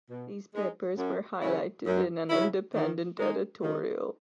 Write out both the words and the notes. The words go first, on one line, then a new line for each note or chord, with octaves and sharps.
These papers were highlighted in an independent editorial.
B2
G#3 D#4
F#2
C#3 F#3 C#4 E4
F#2
C#3 F#3 C#4 E4
D#3
G#3 D#4
D#3